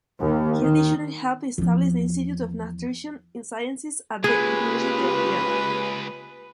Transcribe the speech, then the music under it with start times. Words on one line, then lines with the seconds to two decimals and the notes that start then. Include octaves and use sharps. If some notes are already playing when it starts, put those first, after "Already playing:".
He additionally helped establish the Institute of Nutrition Sciences at the University of Vienna.
0.20 D#2
0.62 D#3
1.58 E2 F3
4.24 C#3 G#3 A#3 F4 G4 G#4 B4